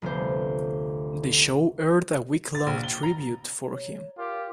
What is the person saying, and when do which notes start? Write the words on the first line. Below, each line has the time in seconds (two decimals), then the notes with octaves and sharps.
The show aired a week-long tribute for him.
0.02 F1 D2 B3 C5
2.55 A6
2.67 A#1
2.83 G7
3.03 A#5
3.69 C#5
4.17 F4 G4 A#4